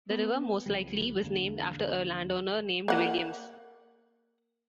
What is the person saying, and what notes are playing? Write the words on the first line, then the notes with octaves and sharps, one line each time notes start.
The river most likely was named after a landowner named Williams.
B3
C2 C#3 F3 G3
E2 D3 A#3
A#3 F#5